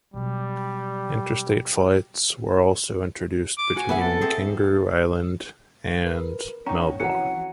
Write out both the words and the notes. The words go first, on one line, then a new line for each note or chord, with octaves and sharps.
Interstate flights were also introduced between Kangaroo Island and Melbourne.
B2 F#3 G3
D6
F#4 G#5
B3 E5 F#5
A4
C4 G#4
A#4 B4
C#4 D#4 C#5 F#5 G5 A#5 C#6
C2 F2 E3 C#4 F#4 F#5 A#5 C#7